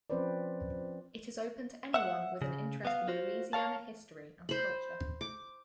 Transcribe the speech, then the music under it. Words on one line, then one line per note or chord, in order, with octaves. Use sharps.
It is open to anyone with an interest in Louisiana history and culture.
F3 C4 C#4 B4 C5 D5
E5 F#5
C#3
B3 F5
F4 F#4 C5
A#4 C#5 F5 A5
C5 B5
D6